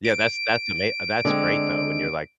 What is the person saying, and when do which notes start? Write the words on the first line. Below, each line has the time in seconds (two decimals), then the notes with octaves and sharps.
Yeah. That's that's ama uh, that's great, though, when you're, like,
0.05 D7
1.25 D3 G#3 C4